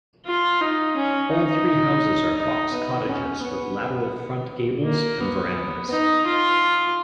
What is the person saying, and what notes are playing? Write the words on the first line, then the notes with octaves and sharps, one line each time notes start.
All three houses are box cottages, with lateral front gables and verandahs.
F4
D#4
C#4
D#4
D#4
B3
C#4
B3
A#3
B3
D#4
F4